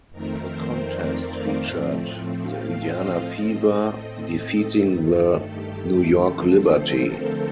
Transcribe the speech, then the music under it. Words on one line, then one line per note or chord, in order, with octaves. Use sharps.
The contest featured the Indiana Fever defeating the New York Liberty.
F2 D#3 A3 C4 A#4
C5
D5
F5
A2 F3 A3 C4
F5
D#5
A2 A3 C4 D#5
A4
G2 D#3 A3
A4
G4
G4
D3 F3 A3 C4 A4
C5
A#4